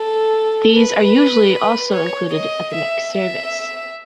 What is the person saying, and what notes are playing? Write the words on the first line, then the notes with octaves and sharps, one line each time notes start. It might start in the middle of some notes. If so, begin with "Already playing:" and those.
These are usually also included at the next Service.
Already playing: A4
B4
C#5
D#5
E5
E5